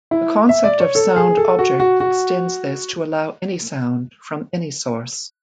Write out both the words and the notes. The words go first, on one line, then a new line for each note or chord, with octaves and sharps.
The concept of sound object extends this to allow any sound, from any source.
E4
E5
D5
C#5
A4
G#4
A4
F#4
F#4
F#4